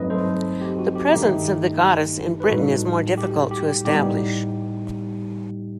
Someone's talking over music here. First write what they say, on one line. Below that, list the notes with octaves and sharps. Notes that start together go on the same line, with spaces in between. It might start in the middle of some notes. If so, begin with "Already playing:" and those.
The presence of the goddess in Britain is more difficult to establish.
Already playing: G2 F#3 A3 C4 D#4 B4 D#5
A4 C5
G4
F#4
G4
G2 D#3 A3 D#4 G4
B4
A2 G3 D#4 F#4 A4
G4
G4
A2 G3 B3 D#4 G4